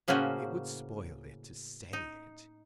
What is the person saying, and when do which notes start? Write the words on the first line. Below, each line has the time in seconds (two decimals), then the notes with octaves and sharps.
"It would spoil it to say it."
0.08 A2 C#3 A#3 C#4 F#4 C5
1.93 D#4